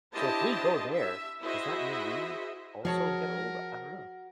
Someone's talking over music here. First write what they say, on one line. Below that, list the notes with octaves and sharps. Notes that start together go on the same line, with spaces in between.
So, if we go there, does that mean we also get old? I don't know.
D4 E4 G4 C5 D#5 A5
E5
E4 F#4 G#4 C5 D#5 E5
F3 F#4 G#4 A#4 C#5 A5